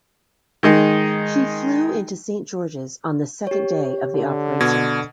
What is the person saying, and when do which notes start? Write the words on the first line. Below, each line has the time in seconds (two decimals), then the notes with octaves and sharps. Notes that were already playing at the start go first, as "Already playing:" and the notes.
He flew into Saint George's on the second day of the operation.
0.63 D#3 G#3 D#4
3.47 G4 C#5
4.14 D3
4.61 B2 G#6